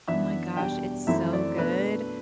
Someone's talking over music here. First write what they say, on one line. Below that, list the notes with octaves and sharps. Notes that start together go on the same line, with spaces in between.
oh, my gosh, it's so good,
F#2 E3 B3 D4 E5
E2 B2 G3 D4 G5
F#2 E3 A3 C4 E4 E5
D5
B2 A3 D4 B4